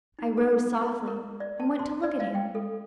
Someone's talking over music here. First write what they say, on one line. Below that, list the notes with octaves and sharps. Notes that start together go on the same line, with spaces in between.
I rose softly, and went to look at him.
D#4
A4
A#4
A#4
D5
A5
C6
D5
F5
G5
A4